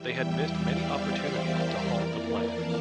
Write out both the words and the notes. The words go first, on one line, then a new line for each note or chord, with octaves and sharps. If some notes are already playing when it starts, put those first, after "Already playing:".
They had missed many opportunities to halt the plan.
Already playing: E2 E3 G3 E5 G5
D5 F5
C5 E5
A#4 D5
F2 E3 A#3
F5 A5